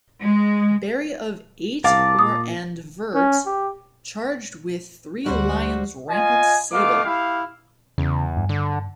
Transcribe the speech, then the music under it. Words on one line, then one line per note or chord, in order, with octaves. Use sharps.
Barry of eight or and vert, charged with three lions rampant sable.
G#3
C2 A#4 F5 A5 D6
A#2 D#6
C#4
G4
D2 G3 F#4 C5
F4 D#5 G#5
A3 B3 D#5 F5 D6
E4 G4 F5
E2 C#3
G2
D3